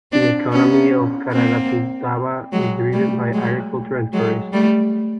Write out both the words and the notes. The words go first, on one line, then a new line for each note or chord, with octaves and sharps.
The economy of the Caraguatatuba is driven by agriculture and tourism.
C4 D4
B3 C#4
A#3 C4
F#3 G#3
G3 A3
F#3 G#3
F#3 G#3
G3 A3